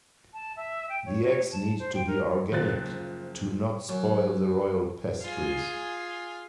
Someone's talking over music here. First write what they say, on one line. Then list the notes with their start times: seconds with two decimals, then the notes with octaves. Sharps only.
The eggs need to be organic to not spoil the royal pastries.
0.34 A5
0.57 E5
0.89 G5
1.06 C#5
1.23 C#5
1.52 A5
1.79 C5
1.95 G5
2.07 A#4
2.52 F#1 F3 F#6 A6
3.89 F#2
5.21 F4 G#4 G#5